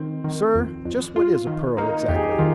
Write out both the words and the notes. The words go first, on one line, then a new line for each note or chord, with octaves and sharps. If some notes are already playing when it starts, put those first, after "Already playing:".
"Sir, just what is a pearl exactly?"
Already playing: D#3 C4
D#3
F2
F2
F4
D#3
A#3 D#4
F2 G4
G#4
G4
D#3 F4